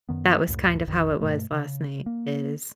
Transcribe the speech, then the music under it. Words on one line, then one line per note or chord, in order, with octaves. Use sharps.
That was kind of how it was last night is
F#2 D#3 B3
C#2 F#2 A2
A#1 F2 D#3
G2 B2 A3
C#3
A#3